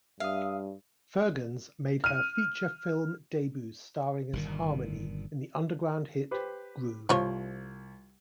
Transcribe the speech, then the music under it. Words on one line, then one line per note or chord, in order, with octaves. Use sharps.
Firgens made her feature film debut starring as Harmony in the underground hit "Groove".
G2 E5 F5 D#6
F6 D#7
G1 A#2 D#3
G4 B4 C5
C2 F3 F4 C#5